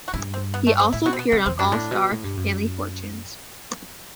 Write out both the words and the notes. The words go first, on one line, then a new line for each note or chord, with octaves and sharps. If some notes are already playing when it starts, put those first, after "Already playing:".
He also appeared on "All Star Family Fortunes".
F#4
G2 E4
C4
B3
A3
C4
A2 E4
B2 F#4
C4
B3
C3 B3
E2 C4
F#2 D4
A2 D4
B2
A2
G2
F#2